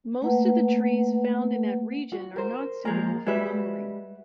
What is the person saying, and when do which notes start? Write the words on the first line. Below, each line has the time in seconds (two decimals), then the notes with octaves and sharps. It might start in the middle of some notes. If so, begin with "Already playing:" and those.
Most of the trees found in that region are not suitable for lumbering.
0.22 A3 A#3 B4 F#5
2.12 F#4
2.36 A#4 C5
2.85 F3 G#3 A#3 A#5
3.27 G3 G#3 F#4 B4 E5